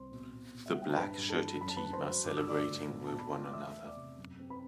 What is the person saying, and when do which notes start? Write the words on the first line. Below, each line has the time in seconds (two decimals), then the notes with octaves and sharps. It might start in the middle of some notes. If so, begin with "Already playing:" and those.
The black shirted team are celebrating with one another.
Already playing: C2 C4 C5 C6
0.11 B2
0.33 B2
0.54 B2
0.66 E5
0.74 G3 F#5
0.82 G5
0.89 A5
0.96 G2 B4 B5
1.18 G2
1.29 A4 A5
1.40 E3
1.60 F#2 B5
1.69 A5
1.77 B4 B5
1.82 F#2
1.93 C5 C6
2.04 F#3
2.25 G2 D6
2.37 E6
2.46 A3 D5 D6
2.68 D3
2.89 B2
3.07 B2 A5
3.19 B5
3.30 A3 C6
3.42 D6
3.53 E2 E5 E6
3.75 B3
3.85 D5 D6
3.96 C3
4.17 F#2
4.39 C4
4.50 B4 B5